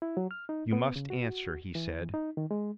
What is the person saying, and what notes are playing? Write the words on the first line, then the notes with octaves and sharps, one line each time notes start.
"You must answer," he said.
E4
F#3
F6
D#4
B3
C#3
F#4
E3
D#4
D#3
G#3